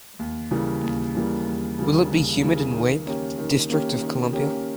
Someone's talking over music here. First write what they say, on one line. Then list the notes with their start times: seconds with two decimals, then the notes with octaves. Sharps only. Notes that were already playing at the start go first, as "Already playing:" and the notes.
Will it be humid in Weippe District Of Columbia?
0.19 D#2
0.51 C#3 E3 G3 A#3
0.83 D#2
1.15 C#3 E3 G3 A#3
1.46 D#2
1.78 C#3 E3 G3 A#3
2.10 D#2
2.42 C#3 E3 G3 A#3
2.74 D#3
3.06 A#3 C#4 G4
3.38 D#3
3.70 A#3 C#4 G4
4.02 D#3
4.33 A#3 C#4 G4